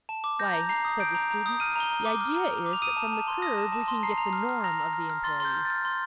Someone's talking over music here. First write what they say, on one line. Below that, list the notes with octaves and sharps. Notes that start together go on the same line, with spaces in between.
"Why," said the student, "the idea is that from the Curve we can get the Norm of the employe."
A5
D6
G6 A#6
A#5
A#5 C7
D#6
G6 D7
A#5
A#5
D#6
F6 D#7
A#5 G7
A#5
D6
F6
A#5
A#5
D6
F7
D#6 D#7
A5
A5
C6
D#6 A#6
A5
A5
C6
A#5 C7
A#5
F6
F6
A#5 A#6
A#5
F6
F6
C6 A6
C6 G6
F6
A6
F6
C6